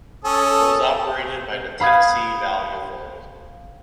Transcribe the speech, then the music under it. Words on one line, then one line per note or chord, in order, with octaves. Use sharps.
It was operated by the Tennessee Valley Authority.
C#4 A4 D#6
F5 B5 D#6 G#6